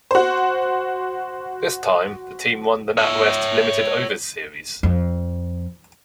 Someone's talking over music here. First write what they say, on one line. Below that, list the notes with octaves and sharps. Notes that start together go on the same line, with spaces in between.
This time, the team won the NatWest limited overs series.
F#4 C5
C#5 E5
F2